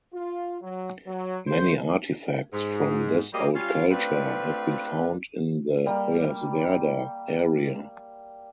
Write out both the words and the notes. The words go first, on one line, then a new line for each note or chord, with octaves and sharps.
Many artifacts from this old culture have been found in the Hoyerswerda area.
F4
F#3
F#3
C5
G#2
F#3 G3 A#3 G4 G#4 D#5
G3 C#4 F4 F5
A3 C4 D4 F4 B4
G3 A#3